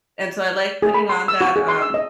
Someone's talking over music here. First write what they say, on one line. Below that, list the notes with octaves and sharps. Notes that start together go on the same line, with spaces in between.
And so, I like putting on that, um,
G#4
B5
C6
E6
F#4
G#4
C6
E6
D#5